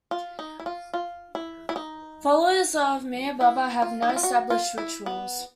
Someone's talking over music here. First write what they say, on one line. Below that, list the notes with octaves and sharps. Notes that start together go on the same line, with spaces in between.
Followers of Meher Baba have no established rituals.
F4
D#4
E4
F4
F4
E4
E4
D#4
E4
F4
D#4
E4
F4
F#4
F4
E4
B3